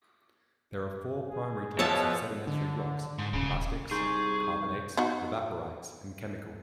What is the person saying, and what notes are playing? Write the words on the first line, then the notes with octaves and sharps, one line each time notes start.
There are four primary types of sedimentary rocks: clastics, carbonates, evaporites, and chemical.
G#4
B2 F3 C#5 E5 A5
D3
G#2
D#1 C#3
C2 D#4 G#4 C6 C#6 G6
B3 D#4 F#4